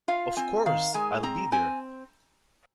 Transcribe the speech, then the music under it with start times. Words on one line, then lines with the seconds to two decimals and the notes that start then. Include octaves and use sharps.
Of course, I’ll be there!
0.08 F4 F5
0.37 C4 G#5
0.66 D#3 F5
0.94 G#3 G#5
1.23 C4 A#5
1.52 C4 G#5